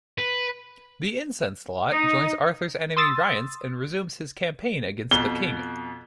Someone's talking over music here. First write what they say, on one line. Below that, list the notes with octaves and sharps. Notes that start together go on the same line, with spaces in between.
The incensed Lot joins Arthur's enemy Rience and resumes his campaign against the king.
B4
D#4
C6 D#6 E6 A6
F2 B2 G7